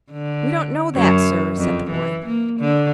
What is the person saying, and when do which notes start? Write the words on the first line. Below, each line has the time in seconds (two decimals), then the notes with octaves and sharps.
"We don't know that, sir," said the boy.
0.11 D3
0.95 F#2
1.57 F2
1.91 E3
2.26 A#3
2.60 D3